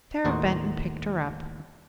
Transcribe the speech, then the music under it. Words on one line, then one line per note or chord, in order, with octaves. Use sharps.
Sara bent and picked her up.
D#2 A2 F#4 C5 D#5 A#5